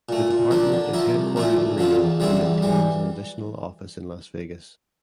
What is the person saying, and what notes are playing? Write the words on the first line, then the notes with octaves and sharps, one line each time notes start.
The department is headquartered in Reno and maintains an additional office in Las Vegas.
A#2 A3
A#2
F3 A#3 D4
D3
F3 A#3 E4
C2
A#2 F3 A3 E4
D2
D3 F3 C4 F4
E2
D3 G3 C4 E4
E2
E3 G3